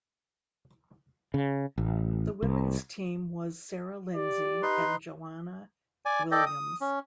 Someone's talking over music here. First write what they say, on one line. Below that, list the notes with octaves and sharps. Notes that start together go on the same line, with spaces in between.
The women's team was Sarah Lindsay and Joanna Williams.
C#3
A1
C2
G4 D5
D#4 B4 C6
D5 G#5
A4 D5 D#5 G5
D#6
C#4